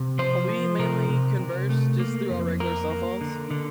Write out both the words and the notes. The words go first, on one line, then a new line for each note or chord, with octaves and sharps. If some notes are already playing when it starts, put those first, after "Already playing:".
we mainly converse just through our regular cell phones.
Already playing: C3
F3 C5
F3
C3 A#4
C3
C3
A3
A#3
F2
A#3 A#4
A#3
D3
D3